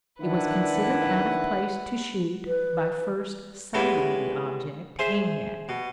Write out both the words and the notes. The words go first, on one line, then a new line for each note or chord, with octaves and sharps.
It was considered out of place to shoot by first sighting the object aimed at.
D#3 D4 E4 B4 F#5
B4
G3 G#3 B3 C#4 E4
G#4 C5 E5 C6
B2